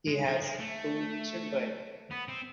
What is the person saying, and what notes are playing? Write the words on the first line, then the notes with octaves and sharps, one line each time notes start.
He has two children.
G#3
F3
G#3
A3
B3
C4